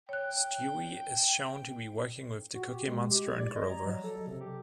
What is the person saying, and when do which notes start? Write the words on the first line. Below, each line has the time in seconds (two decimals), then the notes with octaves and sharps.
Stewie is shown to be working with the Cookie Monster and Grover.
0.09 C#5 G5 F#6
2.55 F#4
2.68 G4
2.87 G#3
3.11 G4
3.26 G#6
3.40 D5
3.55 D#5
3.70 A#5
3.85 F#3
4.04 A4
4.27 C3
4.41 G4